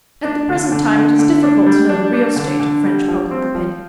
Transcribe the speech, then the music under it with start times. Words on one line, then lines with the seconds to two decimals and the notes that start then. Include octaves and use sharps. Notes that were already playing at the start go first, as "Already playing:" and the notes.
"At the present time it is difficult to know the real state of French public opinion."
0.24 D4
0.49 D3
0.72 D3
0.95 D3
1.19 D3
1.43 D4
1.66 G3
1.89 D4
2.13 D4
2.36 D3
2.60 D3
2.84 G3
3.08 F3
3.31 C4
3.55 F3